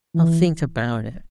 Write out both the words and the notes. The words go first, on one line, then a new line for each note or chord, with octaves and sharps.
"I'll think about it."
E3